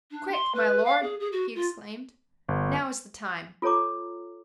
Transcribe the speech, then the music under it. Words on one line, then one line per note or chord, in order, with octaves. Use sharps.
"Quick, my lord," he exclaimed, "now is the time."
D4
C6
B4
F5
G#4
G#4
F#4
F4
G1
F4 A4 C#5 A#5 D6